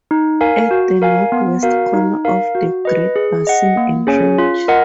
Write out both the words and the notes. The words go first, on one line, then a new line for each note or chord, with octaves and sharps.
At the northwest corner of the Great Basin and Range.
D#4
A#4 F5 G#5
F#4
A#4 F5 G#5
B3
F#4 A#4 F5
D#4
A#4 F5
F#4
B4 D#5
G#4
D#5 F#5
A#3
C#4 G#4 C#5 G#5
F4
A#4 D#5 F#5